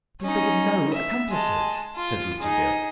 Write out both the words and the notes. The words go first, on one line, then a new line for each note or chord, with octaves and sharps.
"Because there were no accomplices!" said Rouletabille.
C#4 D#4
E5
G#3 A5
F4
D#4 G#4